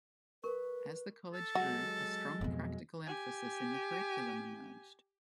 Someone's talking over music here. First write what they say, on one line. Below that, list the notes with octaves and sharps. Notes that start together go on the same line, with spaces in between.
As the College grew, a strong practical emphasis in the curriculum emerged.
A#4 B4 C#6
A4
F#3 G#3 F#4
F2 B2
G4 G#5